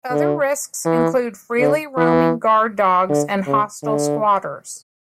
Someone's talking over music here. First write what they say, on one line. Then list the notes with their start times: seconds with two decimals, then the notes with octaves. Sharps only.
Other risks include freely roaming guard dogs and hostile squatters.
0.12 D3
0.86 E3
1.60 D3
1.97 E3
3.10 D3
3.46 C#3
3.83 D3